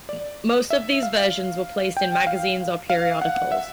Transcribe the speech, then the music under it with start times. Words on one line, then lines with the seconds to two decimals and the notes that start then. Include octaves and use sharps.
Most of these versions were placed in magazines or periodicals.
0.09 D5
0.70 E5
1.03 F5
1.97 G5
2.27 F5
2.90 F5
3.22 F#5
3.52 E5